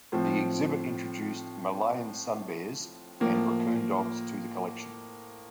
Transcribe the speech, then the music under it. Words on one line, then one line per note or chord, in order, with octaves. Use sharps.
The exhibit introduced Malayan sun bears and raccoon dogs to the collection.
A2 F3 C4
A2 F3 A#3